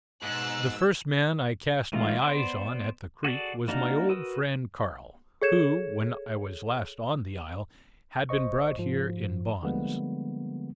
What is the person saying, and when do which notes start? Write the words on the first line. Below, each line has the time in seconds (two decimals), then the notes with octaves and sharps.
The first man I cast my eyes on at the creek, was my old friend Carl, who, when I was last on the isle, had been brought here in bonds.
0.23 G#2 B2 E6 F#6
1.93 E3 G#3 A3 D#4 F4
2.22 B3 C5 D5
3.24 F#4 G#4 A4 D5
3.68 A#3 D4 D#4 F#4 A#4
4.09 F#4 A#4 B4 D#6 E6
5.42 G#4 A4 C#5 G#6 C#7 E7
8.29 G#1 C5 D#5 C#6
8.77 G#2 F3
9.63 D3 F3 G3 G#3 A#3 B3